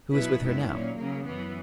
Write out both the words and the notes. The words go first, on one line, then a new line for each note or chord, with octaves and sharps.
"Who is with her now?"
B2 F#3 B3 E4 B4
F#2 D#3 G#3 B3 E4
A#2 F#3 C#4
C#3 F#3 A#3
F#2 E3 B3